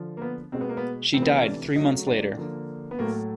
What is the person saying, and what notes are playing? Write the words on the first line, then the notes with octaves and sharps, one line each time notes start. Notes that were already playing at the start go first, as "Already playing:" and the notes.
She died three months later.
Already playing: D3 F3
A#3
B3
B2 G#3 C4
B3
A#3
B3
C3 E3 A3 C4
B3
C4
C#4
D4
C#3 F#3 A3 D#4
D4
D3 F3 A#3
B3
A2 F#3 A3 A#3